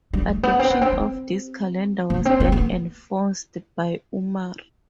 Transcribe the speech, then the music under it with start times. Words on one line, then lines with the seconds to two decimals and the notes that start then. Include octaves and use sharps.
Adoption of this calendar was then enforced by Umar.
0.13 G3
0.29 A3
0.43 B3
0.59 C4
0.71 B3
0.81 C4
0.92 C4
2.10 B3
2.25 C4
2.40 B3
2.52 B3